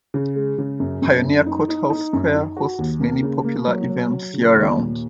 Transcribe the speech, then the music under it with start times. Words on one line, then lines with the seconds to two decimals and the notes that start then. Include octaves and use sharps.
Pioneer Courthouse Square hosts many popular events year round.
0.14 C#3
0.35 G#3
0.58 C#3
0.80 F#2
1.02 F#2
1.24 F#2
1.46 D#4
1.69 D#4
1.90 D#4
2.13 F#2
2.34 D#4
2.57 F#4
2.78 D#2
3.01 A#3
3.23 C#3
3.44 A#3
3.67 F#3
3.89 F#3
4.11 F#3
4.34 C#3
4.56 D#2
4.77 A#2